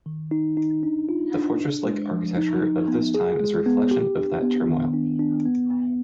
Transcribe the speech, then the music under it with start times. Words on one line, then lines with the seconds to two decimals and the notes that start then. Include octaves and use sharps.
The fortress-like architecture of this time is a reflection of that turmoil.
0.06 D#3
0.31 D#4
0.57 D#4
0.83 D4
1.09 F4
1.35 D4
1.60 D4
1.86 G#3
2.11 F3
2.37 D#4
2.63 D#4
2.88 B3
3.14 G#4
3.40 G#3
3.66 B3
3.91 G4
4.17 D4
4.42 B3
4.68 D#3
4.94 D4
5.19 D4
5.45 B3
5.70 B3